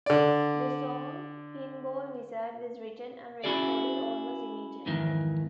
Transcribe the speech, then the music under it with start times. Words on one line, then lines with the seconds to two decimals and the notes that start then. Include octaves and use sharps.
The song "Pinball Wizard" was written and recorded almost immediately.
0.06 D3 D5
3.44 C#4 E4 F#4 G#4 D5
4.86 F2 G#2 D#3 E3